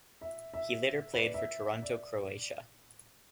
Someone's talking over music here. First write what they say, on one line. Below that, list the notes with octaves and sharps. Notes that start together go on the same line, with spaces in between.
He later played for Toronto Croatia.
E5
E5
B4
D5
E5
D5